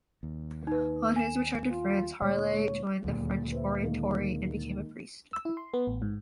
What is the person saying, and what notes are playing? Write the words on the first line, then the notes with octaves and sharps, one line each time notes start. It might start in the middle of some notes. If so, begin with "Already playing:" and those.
On his return to France, Harlay joined the French Oratory and became a priest.
D#2
D#4 B4
G#5 E7
F4
D2 A#2 G#3 C#5
D#1 D2 A#2 F#3 G#3
B4 C5 E5
D#3 G#3 A#3
E6
E4
C6
B3
A1
G#2